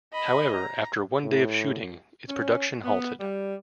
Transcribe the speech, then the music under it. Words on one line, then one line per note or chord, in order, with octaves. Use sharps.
However, after one day of shooting its production halted.
D#5 B5
A#5
A2
C#4
B3
G3